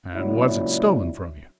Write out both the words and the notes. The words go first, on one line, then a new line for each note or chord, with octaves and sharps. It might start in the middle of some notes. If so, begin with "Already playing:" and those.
"And was it stolen from you?"
A#2 C#3 F#3 G#3 D4 E4